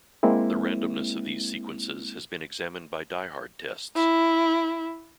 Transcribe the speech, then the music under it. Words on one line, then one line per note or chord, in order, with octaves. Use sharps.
The randomness of these sequences has been examined by diehard tests.
G#3 A#3 C4 E4
E4